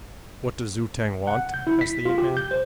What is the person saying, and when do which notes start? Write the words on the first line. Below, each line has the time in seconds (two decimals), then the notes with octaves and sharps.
"What does Zu-tag want?" asked the ape-man.
1.27 F#5
1.54 G6
1.67 E4
1.81 B6
2.05 F4
2.18 G4
2.37 G6
2.51 C5